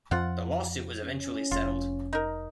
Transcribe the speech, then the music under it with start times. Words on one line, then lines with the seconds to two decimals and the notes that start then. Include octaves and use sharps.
The lawsuit was eventually settled.
0.11 F2 F3 F4 F#5
1.02 C#4
1.51 F1 F4
2.13 D#4 A#4